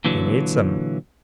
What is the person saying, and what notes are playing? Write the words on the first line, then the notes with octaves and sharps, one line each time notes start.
He needs them.
A#2 D3 E3 F#3